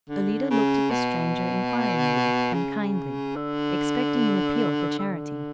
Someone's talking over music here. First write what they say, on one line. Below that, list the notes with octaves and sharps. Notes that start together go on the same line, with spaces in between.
Alida looked at the stranger inquiringly and kindly, expecting an appeal for charity.
D3
C#3
B2
C#3
D3
D3